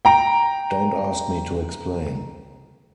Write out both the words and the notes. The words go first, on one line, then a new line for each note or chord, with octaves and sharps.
Don't ask me to explain.
G5 A#5 D7